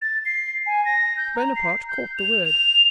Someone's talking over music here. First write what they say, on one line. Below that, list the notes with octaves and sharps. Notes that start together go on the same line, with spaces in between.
Bonaparte caught the word.
A6
C7
G#5
A#6
G6
A#5
C7
G6
F7
F7